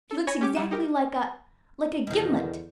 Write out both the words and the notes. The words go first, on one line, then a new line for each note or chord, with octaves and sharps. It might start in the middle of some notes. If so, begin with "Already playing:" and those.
"She looks exactly like a--like a gimlet."
A4
C#5 G#5 B5 A#6 C#7
C#4 G4 D6
G3 F#5 E7
D#4 G4 A#4
E2 B2 D3 D#3